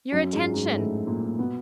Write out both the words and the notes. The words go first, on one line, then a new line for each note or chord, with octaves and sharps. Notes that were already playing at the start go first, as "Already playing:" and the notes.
Your attention!
F#2 F#3
G#2 G#3
G#2 G#3
A2 A3
A#2 A#3
A#3
B2 B3